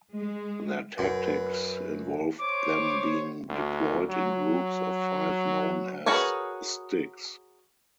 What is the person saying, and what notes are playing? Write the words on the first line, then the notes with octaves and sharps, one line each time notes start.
Their tactics involved them being deployed in groups of five known as "sticks".
G#3
F#2 B4
C5 C#5 D6
D2
F#3
F#4 G#4 A#4 B4 C#5